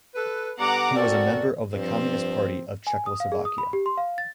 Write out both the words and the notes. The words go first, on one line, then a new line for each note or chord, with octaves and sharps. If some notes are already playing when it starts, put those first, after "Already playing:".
He was a member of the Communist Party of Czechoslovakia.
A4 B4
G2 D3 B3 F#5 A#5 D6
C4 F#4 A4 A#4 D5
G2 F3 C4
G#5
D#6
F5
G#4
D#6
B5
G4
C6
F5
A6